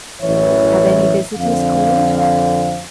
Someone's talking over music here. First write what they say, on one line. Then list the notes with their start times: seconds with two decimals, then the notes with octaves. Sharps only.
"Have any visitors called?"
0.22 A1 F#2 E3 C#5 E5
1.37 F2 D3 C4 F5